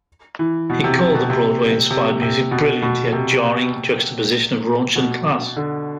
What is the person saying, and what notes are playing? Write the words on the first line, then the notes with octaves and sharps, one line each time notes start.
He called the Broadway-inspired music "brilliant yet jarring juxtaposition of raunch and class".
E3
B2
C3
C3
B2
C3
C3
C3
B2
B2
C3
B2
D3